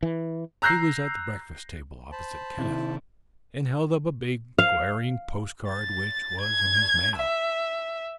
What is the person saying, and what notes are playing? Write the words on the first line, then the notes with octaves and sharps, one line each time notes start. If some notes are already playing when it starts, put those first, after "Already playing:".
He was at the breakfast table opposite Kenneth, and held up a big, glaring post-card which was in his mail.
E3
A#5 E6 F#6 G6 A#6 C7
C5 A5 B5
C3 D#3 E4
F5
A6
G#6
E5